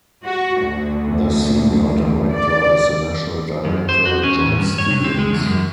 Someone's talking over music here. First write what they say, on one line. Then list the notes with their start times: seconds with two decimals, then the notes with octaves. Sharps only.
The senior director is the National Director, John Stevens.
0.24 F#4
0.65 D2
2.30 D5
3.65 F#2
3.89 C5
4.06 F#4
4.23 C#4
4.46 A2
4.59 G2
4.78 C#5
4.91 C3
5.04 C4
5.19 G#3
5.33 E2
5.46 F#2